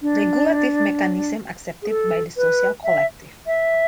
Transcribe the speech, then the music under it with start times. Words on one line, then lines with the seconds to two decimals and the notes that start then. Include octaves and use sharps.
Regulative mechanisms accepted by the social collective.
0.02 D4
1.82 G#4
1.89 A4
2.37 B4
2.84 E5
3.46 E5